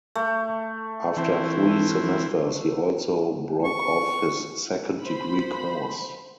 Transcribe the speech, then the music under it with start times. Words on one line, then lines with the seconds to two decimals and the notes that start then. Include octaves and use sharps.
After three semesters he also broke off his second degree course.
0.15 A3
1.17 E3 C4
3.64 C#6
5.03 C5 B5